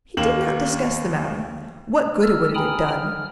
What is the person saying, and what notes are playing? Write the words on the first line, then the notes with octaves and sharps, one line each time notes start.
He did not discuss the matter--what good would it have done?
D#2 A#3 F5 E7 F#7
E6 F6
G5 G#5 A#5 B5 D#6 F6
F6